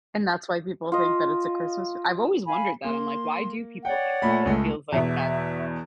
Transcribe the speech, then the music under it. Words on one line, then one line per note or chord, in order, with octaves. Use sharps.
And that's why people think that it's a Christmas I've always wondered that, I'm like, "Why do people think that it feels like that?"
F4 D#5
F5 G#5 B5
A#3 C6
C#5 D5 F#5 G5
A#2 A3 B5
C#2 G#3 A3
E2 B2 E5